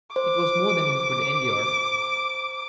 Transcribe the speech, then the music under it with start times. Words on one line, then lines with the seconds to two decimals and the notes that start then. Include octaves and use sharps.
It was more than he could endure.
0.16 C5 D6